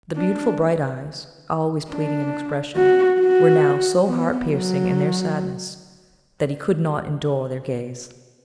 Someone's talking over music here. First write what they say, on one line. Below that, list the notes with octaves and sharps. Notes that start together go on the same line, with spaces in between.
The beautiful bright eyes, always pleading in expression, were now so heart-piercing in their sadness, that he could not endure their gaze.
D4
D4
F#4
F#4
B3
F#3